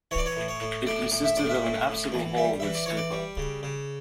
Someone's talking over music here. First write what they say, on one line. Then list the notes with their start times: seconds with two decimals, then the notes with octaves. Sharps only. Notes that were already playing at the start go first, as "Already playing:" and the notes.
It consisted of an apsidal hall with stupa.
0.11 E3 C#5
0.18 D5
0.26 C#5
0.37 A2
0.48 C#5
0.61 A2
0.87 A2 D5
1.11 A2
1.24 E5
1.37 A2 D5
1.49 E5
1.62 A2
1.87 A2
2.12 E3
2.37 G3 E5
2.60 E3 E5
2.75 D5
2.86 E3 C#5
2.97 D5
3.12 G3
3.37 C#3
3.63 C#3